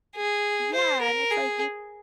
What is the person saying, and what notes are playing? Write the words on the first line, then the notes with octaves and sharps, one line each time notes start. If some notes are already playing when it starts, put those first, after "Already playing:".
Yeah, and it's, like, you
G#4
C5
A#4
G#4